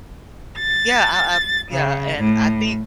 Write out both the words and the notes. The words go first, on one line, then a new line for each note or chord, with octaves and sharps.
yeah, I I yeah, and I think
A6
C#3
A2